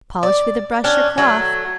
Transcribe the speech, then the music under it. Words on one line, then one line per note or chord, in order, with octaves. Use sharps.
Polish with a brush or cloth.
D5
C#4 D4
F#3 A3